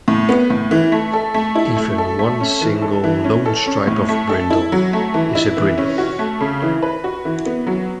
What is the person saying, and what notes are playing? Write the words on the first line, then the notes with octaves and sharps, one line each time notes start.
Even one single, lone stripe of brindle is a brindle.
A2
B3
A2
E3
A3
A4
A3
E4
A3
A4
A3
C#4
E3
A4
E3
C#4
A4
C#4
A2
A3
A4
E4
F#3
A3
E3
E4
E3
C#4
F#4
A3
C#3
E3
B4
F#4
E3
B3
F#3